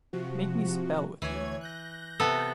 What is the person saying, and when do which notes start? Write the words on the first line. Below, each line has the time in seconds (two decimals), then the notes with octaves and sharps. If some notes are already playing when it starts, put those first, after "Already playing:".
Make me spell with you.
0.13 C3 F3 F#4
1.22 D2 E3 C#5 G#6
1.61 F#6 G6 A#6
2.20 C3 B3 A4